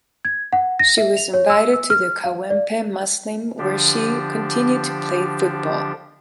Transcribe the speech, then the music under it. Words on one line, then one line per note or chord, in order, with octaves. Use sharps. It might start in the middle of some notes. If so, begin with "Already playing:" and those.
She was invited to the Kawempe Muslim where she continued to play football.
G#6
F#5
A#6
E5
F7
C#5
E6
E6
F6
F5
D5
D3 F3 D4 G4